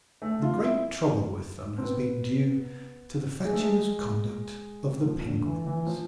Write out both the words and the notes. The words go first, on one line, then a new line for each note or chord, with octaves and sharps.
The great trouble with them has been due to the fatuous conduct of the penguins.
A3
F4
E4
C4
B3
G#3
A3
G#3
F3
D3
E3
E3
F3